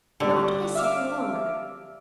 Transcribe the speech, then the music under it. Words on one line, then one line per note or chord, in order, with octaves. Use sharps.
"Not a second longer."
D3 G3 D4 G4
E5 F5 D6